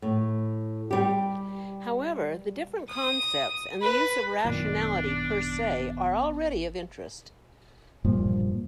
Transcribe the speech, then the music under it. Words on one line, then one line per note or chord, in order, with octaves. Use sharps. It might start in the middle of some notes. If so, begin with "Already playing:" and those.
However, the different concepts and use of 'rationality' per se are already of interest.
A2
G3 G4
D#6
B4
G#1 F#2 A#2 D#3 B3 D4
E1 G2 A#2 F3